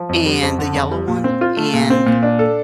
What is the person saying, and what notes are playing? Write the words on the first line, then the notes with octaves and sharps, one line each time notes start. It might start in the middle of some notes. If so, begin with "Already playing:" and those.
and the yellow one, and
Already playing: F3
F2
G3
F2
D3
F2
G3
A#2
C4
F4
A3
A#2
C4
A#2
D4
A4